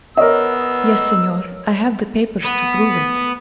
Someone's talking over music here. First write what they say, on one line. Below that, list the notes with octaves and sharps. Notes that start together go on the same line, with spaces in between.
"Yes, Senor; I have the papers to prove it."
B3 A#4 C#5 D#5 E6
B3